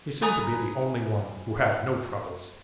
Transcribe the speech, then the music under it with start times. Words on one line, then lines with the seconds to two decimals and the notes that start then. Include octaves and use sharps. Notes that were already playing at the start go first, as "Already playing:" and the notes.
He seemed to be the only one who had no troubles.
0.22 B4 G#5 A#5 D#6